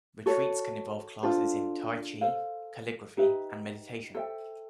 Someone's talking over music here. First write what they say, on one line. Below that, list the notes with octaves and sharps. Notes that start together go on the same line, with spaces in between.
Retreats can involve classes in t'ai chi, calligraphy and meditation.
F#4 A4 C#5
D4 F4 A4 C5
A4 C5 F5
D#4 G4 B4 E5
A4 C5 E5 G5